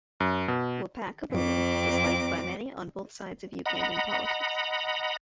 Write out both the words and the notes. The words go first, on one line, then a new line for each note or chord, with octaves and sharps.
Wapakhabulo was liked by many on both sides of Ugandan politics.
F#2
B2
F2 C4 D6
D#5 F#5 A#5 B5